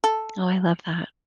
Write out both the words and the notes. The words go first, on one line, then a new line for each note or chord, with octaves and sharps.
Oh, I love that.
A4